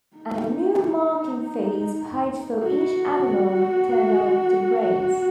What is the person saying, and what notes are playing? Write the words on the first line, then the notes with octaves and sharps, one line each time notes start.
An annual marking fee is paid for each animal turned out to graze.
D#4
F#4